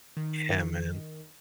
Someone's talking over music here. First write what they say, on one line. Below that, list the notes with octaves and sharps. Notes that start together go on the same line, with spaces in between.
Yeah, man.
D#3